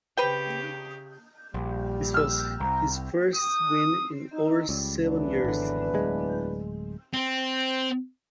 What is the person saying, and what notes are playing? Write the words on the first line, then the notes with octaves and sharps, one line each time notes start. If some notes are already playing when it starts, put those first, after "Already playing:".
This was his first win in over seven years.
C#3 C4 G4 B4 G5
A#1 G3
E6 F6
C2 A#5
D#6
D#4
C#2 G3
E2 E3 F#3 D4 B4
G#1 D3
D1 G#3
C4